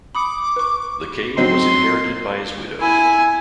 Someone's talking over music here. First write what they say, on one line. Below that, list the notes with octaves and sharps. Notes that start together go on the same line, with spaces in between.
The cave was inherited by his widow.
B5 D6 D#6 C#7
B4 C#6
F#3 C4 D#4 C6
E4 G#5